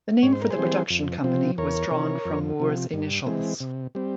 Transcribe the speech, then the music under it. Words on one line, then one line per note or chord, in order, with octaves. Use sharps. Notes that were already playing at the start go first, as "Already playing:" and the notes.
The name for the production company was drawn from Moore's initials.
G#2 C#5
C5
A#4
G#4 C5
E3 G3 C4
F2
C3 F3 C4
E2 A#4 C#5
C3 E3
F2
C3 F3
G2
E3 G#3 C4
C3
G3 C4